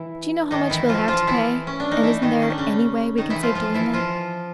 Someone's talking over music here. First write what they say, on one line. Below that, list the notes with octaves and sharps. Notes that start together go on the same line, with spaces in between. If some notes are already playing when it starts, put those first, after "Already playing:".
"Do you know how much we'll HAVE to pay? And isn't there any way we can save doing that?"
Already playing: E3 E4
D#3 D#4
E3 E4
F3 F4
F3 F4
E3 E4
C#4
D4
D#4
E3 E4
D#3 D#4
C#4
D4
C#3 C#4
D#3 D#4
E3 E4
F3 F4
F3 F4
E3 E4
F3 F4